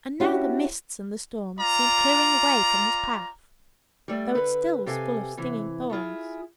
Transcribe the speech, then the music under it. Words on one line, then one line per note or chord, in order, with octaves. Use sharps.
And now the mists and the storms seemed clearing away from his path, though it still was full of stinging thorns.
C#4 D4 E4 F#4 G4
F4 D5 A#5
G3 A3 D5
D3 B4
C3 G4 A4 F5 G#5
C3 E3
B3 E4 F4 G#4